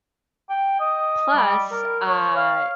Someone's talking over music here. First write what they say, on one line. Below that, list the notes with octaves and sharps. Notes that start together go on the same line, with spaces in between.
plus, uh,
G5
D#5
G3
A#4
C#5
F5